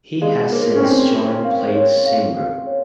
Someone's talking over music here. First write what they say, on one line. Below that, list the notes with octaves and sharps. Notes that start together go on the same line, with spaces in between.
He has since joined Plaid Cymru.
G#3 F5
A#3 C#5
C#4
C4 C#5
C#5
F5
C#5
F5
F5
C#5